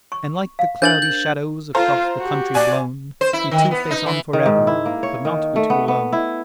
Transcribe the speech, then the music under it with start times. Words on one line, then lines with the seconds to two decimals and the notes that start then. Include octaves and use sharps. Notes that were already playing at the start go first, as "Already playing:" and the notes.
And like the cloudy shadows Across the country blown We two face on for ever, But not we two alone.
0.12 C#6
0.59 F5
0.82 D4 A#4 C5 G6 A6 F#7
1.02 G6
1.75 F4 A4 C5 F5 A#5
2.19 F#4 G4
2.55 D5 G#5
3.21 C5
3.33 E4
3.51 D#3
3.71 B3
3.91 D#4
4.06 E3
4.33 D#3
4.46 G#2
4.67 E4
4.86 A#3
5.03 C#5
5.25 D#3
5.56 A3
5.70 B3
5.88 B3
6.12 E4